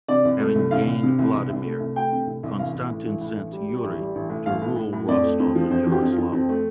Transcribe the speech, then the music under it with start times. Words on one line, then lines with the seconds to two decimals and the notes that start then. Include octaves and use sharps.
Having gained Vladimir, Konstantin sent Yuri to rule Rostov and Yaroslavl.
0.08 C3 D5
0.25 C2
0.40 A3
0.55 C2
0.71 C2 F5
0.87 C2
1.03 C3
1.19 C2
1.34 C2
1.50 C2
1.65 A3
1.80 C2
1.96 A3 G5
2.12 C3
2.27 C2
2.43 C2
2.59 A1 F5
2.74 A1
2.89 A2
3.05 A1
3.21 A2
3.36 A1
3.52 G3
3.68 G3
3.83 A1
3.99 G3
4.15 A1
4.30 A2
4.46 A1 F5
4.62 A2
4.76 A2
4.93 A2
5.08 F2 D5
5.23 A3
5.40 F2
5.55 F3
5.70 F2 C5
5.87 F3
5.92 G4
6.02 F2
6.12 F4
6.18 F2
6.32 F2 C4
6.49 A3